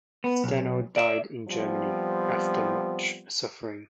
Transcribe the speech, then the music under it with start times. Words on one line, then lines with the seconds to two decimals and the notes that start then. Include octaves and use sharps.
Steno died in Germany, after much suffering.
0.24 B3
0.44 B1
0.96 D5 E5
1.48 F3 G3 B3 C4